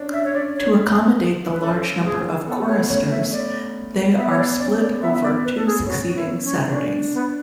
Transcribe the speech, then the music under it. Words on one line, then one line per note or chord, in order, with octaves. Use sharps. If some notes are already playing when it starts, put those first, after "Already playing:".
To accommodate the large number of choristers, they are split over two succeeding Saturdays.
Already playing: C#4 D4
E5
C#5
C#4 D5
C#5
B4
C#4 A4
F#4
G#4
B3 A4
A3
C#5
B3
C#4 C#5
E5
C#4 D5
B3 E5
C#5
D5
C#5
C#4 D5
D5
B3 E5
E5
D5
B4
A4
G#4
C#4 F#4
F#4
E4
C#4
C#4 D4
B3